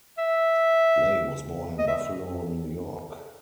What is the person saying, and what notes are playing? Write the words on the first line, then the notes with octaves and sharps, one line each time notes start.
Lay was born in Buffalo, New York.
E5
D#5
E5